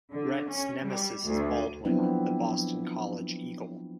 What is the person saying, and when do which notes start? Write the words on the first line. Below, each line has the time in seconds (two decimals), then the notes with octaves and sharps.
Rhett's nemesis is Baldwin, the Boston College eagle.
0.11 D3
0.50 C#4
0.83 G3
1.26 D2
1.85 F3 F#3 B3 C4 D4 E4